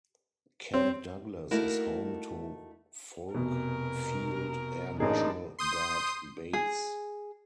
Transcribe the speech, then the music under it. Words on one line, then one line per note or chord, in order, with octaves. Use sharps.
Camp Douglas is home to Volk Field Air National Guard Base.
C4 C#5
A3 A#3 D#4 E4 F#4 A#4
F1 B2 A#4
A1 A#3 D4 D#4 G#4
C6 D#6 G6
G#4